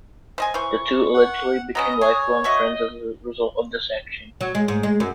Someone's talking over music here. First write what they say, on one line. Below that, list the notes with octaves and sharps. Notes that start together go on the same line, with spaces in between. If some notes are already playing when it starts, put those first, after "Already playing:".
The two allegedly became lifelong friends as a result of this action.
C5 D#5 G#5
E3 C5 C#6
F#5
F#3 B3 C#4 D#5 A#5 D#6
G#4 C#5
F#4 D#5 E5 C#6
F#3
G#3
G#2
G#3
F#2